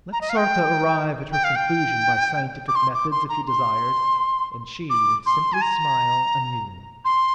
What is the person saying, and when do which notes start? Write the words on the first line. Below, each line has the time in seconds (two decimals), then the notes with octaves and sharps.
Let Sarka arrive at her conclusion by scientific methods if he desired, and she would simply smile anew.
0.13 A#5
0.21 D#5
0.30 F5
0.37 G5
1.32 G5
1.44 F5
1.56 G5
2.68 D6
2.75 C6
2.94 D6
3.11 C6
3.29 A#5
3.47 C6
4.90 D6
5.26 C6
5.53 G#5
5.62 A#5
7.05 C6